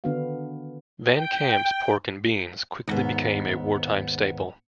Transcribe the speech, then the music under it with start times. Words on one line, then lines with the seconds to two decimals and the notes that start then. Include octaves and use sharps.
Van Camp's pork and beans quickly became a wartime staple.
0.04 D3 D#3 B3 D4 F#4 F5
1.14 G5
2.88 D#2 G#2 B3